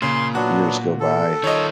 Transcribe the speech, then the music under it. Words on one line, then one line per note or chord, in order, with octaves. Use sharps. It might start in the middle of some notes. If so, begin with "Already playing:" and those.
years go by,
A#2 C#3 C6
F#3 B3 D4 F#4
A4
D#3 F4 C#5 D#5